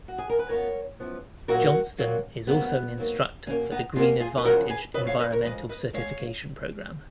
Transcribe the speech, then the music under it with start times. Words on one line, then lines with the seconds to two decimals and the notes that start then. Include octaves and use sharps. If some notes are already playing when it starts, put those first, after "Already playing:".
Johnston is also an instructor for the Green Advantage Environmental Certification Program.
0.08 F#4
0.18 G#4
0.29 A#4
0.39 B4
0.49 F#2 F3 B3 A#4 C#5
1.00 F#2 F3 B3
1.48 A#2 F#3 A#3 F#4 A#4
1.98 A#2 F#3 A#3
2.47 G#2 F#3 A#3 B3
2.98 G#2 F#3 A#3
3.46 B2 C#4
3.50 A#3
3.71 B3 D#4
3.95 B2 A#3 C#4 F4
4.20 F4 G#4
4.37 B4
4.45 F#2 C#3 F3 F#4 A#4
4.70 G#4 B4
4.94 F#2 C#3 F3 B4 D#5
5.07 C#5 F5
5.19 B4 D#5
5.32 A#4 C#5
5.44 F2 F3 G#3 B4 D#5
5.69 B4 D#5
5.93 F3 G#3 C#5 F5